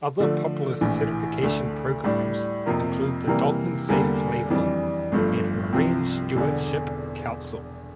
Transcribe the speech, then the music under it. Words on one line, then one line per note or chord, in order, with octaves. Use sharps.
Other popular certification programs include the dolphin safe label and Marine Stewardship Council.
D3 F3 A3
A#1 A2 E3
D2 D3 A3
A2 G3 D4
F2 C3 F3 A#3
C3 E3 G3 A#3
E2 D3 G3 A#3
F2 E3 G3 D4
G1 G2 F3 A3
C2 C3 F3 C4
E1 E2 D3